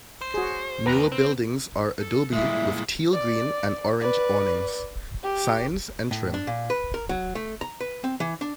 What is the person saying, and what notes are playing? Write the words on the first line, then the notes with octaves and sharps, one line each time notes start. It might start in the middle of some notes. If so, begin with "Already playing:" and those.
Newer buildings are adobe with teal-green and orange awnings, signs, and trim.
C5
F#4 G#4
D#2 B4 A#5
C4
A4
A#2 G3 G#3 E4 E5
D5
B4 D5
G4
A2
D4
A#2
B4
A#4
F#3
A3
A#5
B4
C4
E3
D4